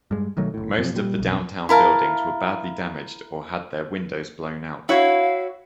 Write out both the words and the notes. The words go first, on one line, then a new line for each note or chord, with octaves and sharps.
Most of the downtown buildings were badly damaged or had their windows blown out.
G2 G#3
B1 D#3 F#3 A3
F#1 A2
F#2 C3 F3
A#2 G3
B1 F2
E4 A#4 F5 A5
E4 F#4 C#5 F5